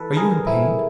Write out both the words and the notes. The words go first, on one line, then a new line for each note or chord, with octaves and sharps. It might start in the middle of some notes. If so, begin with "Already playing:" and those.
"Are you in pain?"
Already playing: E3 A4 B4
G3 G#4 A#4
C4 E4